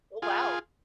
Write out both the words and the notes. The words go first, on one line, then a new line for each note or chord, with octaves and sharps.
Oh wow.
F4 G#4